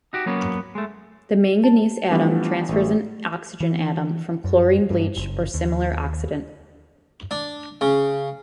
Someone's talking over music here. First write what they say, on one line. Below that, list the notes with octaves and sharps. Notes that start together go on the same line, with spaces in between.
The manganese atom transfers an oxygen atom from chlorine bleach or similar oxidant.
D#4 F#4 G4
F#3 A#3 B3 C#4
G#3 A3
A5
E3 F3 G3 A3 B3 D4
A1 A3
E3
F#2
G2
F#1
D#2
D4
C#3